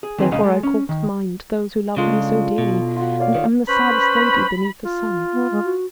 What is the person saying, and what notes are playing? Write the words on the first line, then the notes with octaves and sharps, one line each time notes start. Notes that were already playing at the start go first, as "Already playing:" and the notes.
Therefore I call to mind those who loved me so dearly, and am the saddest lady beneath the sun.
G#4
D#3 E3 C4 G#4 B4
D2 B2 G3 C#4 D#5 F5
G#3 A4
C#4
D#3
C#3 G#3 D4 F4 A4
B2
F4 F#4
C#5 D5 F5
D#3
C#4 B4 C5 B5
F4
B3
G#3
F#4